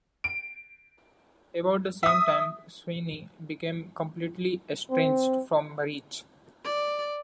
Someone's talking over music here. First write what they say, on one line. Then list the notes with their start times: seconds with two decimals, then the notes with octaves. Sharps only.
About the same time Swiney became completely estranged from Rich.
0.24 D7
2.03 E5 D#6
4.91 C4
6.65 D5